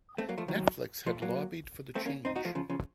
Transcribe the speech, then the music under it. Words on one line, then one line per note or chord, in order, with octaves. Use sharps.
Netflix had lobbied for the change.
A3 C4
F#3 A#3
F3 A3
D#3 F#3
F3 A3
F#3 A#3
A3 C4
A#3 C#4
C4 D#4
D#4 F#4
F3 A3
C#3 F3
C#3 F3